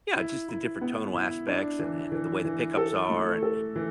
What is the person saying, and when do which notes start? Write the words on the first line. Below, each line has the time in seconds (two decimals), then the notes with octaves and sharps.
Yeah, just the different tonal aspects and and the way the pickups are, and
0.16 E4
0.49 E4
0.81 B3
1.15 E4
1.47 D4
1.79 E3
2.12 E3
2.45 E3
2.77 A4
3.10 A3
3.43 A4
3.76 E3